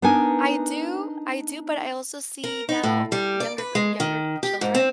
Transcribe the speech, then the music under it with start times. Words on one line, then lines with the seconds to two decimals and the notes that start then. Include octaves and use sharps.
I do. I do, but I also see now younger g younger children,
0.02 B3 D4 D#4 A#4 G#5
2.44 A#4
2.69 D#4
2.83 A2
3.12 G3
3.40 D5
3.58 B4
3.75 G#3
4.00 D#3
4.43 G4
4.61 G#2
4.75 C4